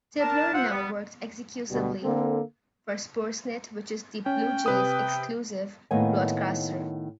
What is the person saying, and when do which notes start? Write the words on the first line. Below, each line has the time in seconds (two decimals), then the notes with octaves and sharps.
Tabler now works exclusively for Sportsnet, which is the Blue Jays' exclusive broadcaster.
0.19 D4 A#4 A5
0.54 F4 C5 E5 F#5
0.71 G3 B3
1.70 D2 B2 G3
2.03 D3 A#3 C4 A4
4.26 C#4 G5
4.66 C3 B4 D#6
5.91 A2 D#3 A#3 B3 C#5 G#5